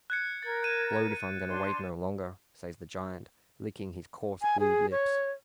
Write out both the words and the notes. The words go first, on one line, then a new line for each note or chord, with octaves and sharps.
"Blowed if I'm going to wait no longer," says the giant, licking his coarse blue lips.
F#6 G#6 C#7
A#4 G#6 A6
G6 D#7 E7
D4 C6
G#5
G#4
C#5